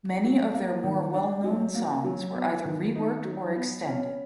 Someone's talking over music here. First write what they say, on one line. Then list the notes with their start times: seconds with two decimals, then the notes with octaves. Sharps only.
Many of their more well-known songs were either re-worked or extended.
0.24 F#3
0.54 A#3
0.84 D#3
1.14 D4
1.44 F#3
1.75 A#3
2.04 F#3
2.36 B3
2.65 D#3
2.95 D#4
3.25 F#3
3.56 B3
3.86 C#4